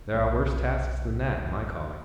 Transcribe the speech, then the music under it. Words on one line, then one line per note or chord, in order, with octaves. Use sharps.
There are worse tasks than that, in my calling.'
B1 F#2